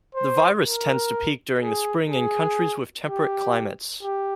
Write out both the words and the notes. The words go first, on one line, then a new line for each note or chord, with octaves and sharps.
The virus tends to peak during the spring in countries with temperate climates.
C5
A#4
G#4
G#4
G4
G4